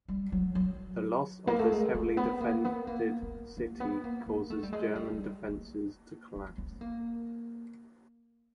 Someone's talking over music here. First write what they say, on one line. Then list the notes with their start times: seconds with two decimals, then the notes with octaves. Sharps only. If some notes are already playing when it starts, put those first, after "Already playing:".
The loss of this heavily defended city caused German defenses to collapse.
0.08 G3
0.32 F#3
0.55 F#3
1.47 A#3
1.59 A3
1.72 G#3
1.94 A3
2.17 B3
2.40 A#3
2.65 B3
2.87 A#3
3.22 A#3
3.57 A#3
3.80 B3
4.04 A#3
4.26 A#3
4.50 A3
4.63 G3
4.73 G#3
4.95 G3
5.13 G3
5.49 A#3
6.36 B3
6.58 B3
6.81 A#3